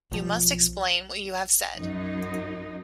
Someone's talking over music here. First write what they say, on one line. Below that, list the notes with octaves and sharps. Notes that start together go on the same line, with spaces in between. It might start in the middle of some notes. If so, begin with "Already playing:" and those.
You must explain what you have said.
B1 F3
F#2 D#4